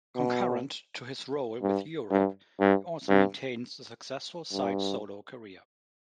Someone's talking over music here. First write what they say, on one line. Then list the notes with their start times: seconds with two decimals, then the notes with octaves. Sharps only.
Concurrent to his role with Europe, he also maintains a successful side solo career.
0.16 B2
1.62 G2
2.11 G2
2.60 G2
3.08 G2
4.53 G2